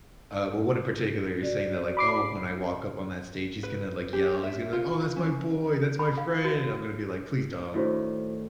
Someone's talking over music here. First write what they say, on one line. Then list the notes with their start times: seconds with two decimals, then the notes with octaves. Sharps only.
uh, well, one in particular is saying that, like, "Oh, when I walk up on that stage, he's gonna, like, yell. He's gonna be like, oh, that's my boy. That's my friend." I'm gonna be, like, "Please don't,"
1.41 F#4 D5
1.97 B5 D6 C7
3.63 B4
4.13 G4
4.43 E5
4.73 F4
5.16 C#4
5.99 B5
6.18 F5
6.44 F#4
7.74 A2 D#3 D4 E4 F#4 C5